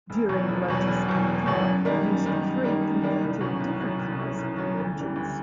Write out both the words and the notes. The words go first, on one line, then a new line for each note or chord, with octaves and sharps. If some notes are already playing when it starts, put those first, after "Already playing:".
During Lotus and Clark used three completely different cars and engines.
E1
E2 B2 F#3
E1
E2 B2 F#3
E1
E2 B2 F#3
E1
E2 B2 F#3
F#2
D#3 G3 A#3 D#4
F#2
D#3 G3 A#3 D#4
F#2
D#3 G3 A#3 D#4
F#2
D#3 G3 A#3 D#4
C2
B2 F#3 A3 C#4
C2
B2 F#3 A3 C#4
C2
B2 F#3 A3 C#4
C2
B2 F#3 A3 C#4
D2
C#3 E3 G3
D2